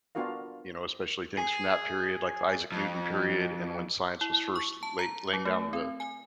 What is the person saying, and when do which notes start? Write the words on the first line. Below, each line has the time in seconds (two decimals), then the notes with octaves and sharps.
you know, especially things from that period, like Isaac Newton period, and when science was first lay laying down the
0.15 B3 D4 F4 F#4 A#4 F5
1.38 G#4
2.72 F2
4.21 E4
4.56 C#6
4.83 A5
4.99 A#5
5.33 F#3
5.45 A3
5.73 C4
6.00 G#5